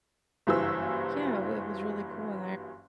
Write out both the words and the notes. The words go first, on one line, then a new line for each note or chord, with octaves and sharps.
Yeah, it wa it was really cool, and
F#1 G2 E3 F#3 C5 E6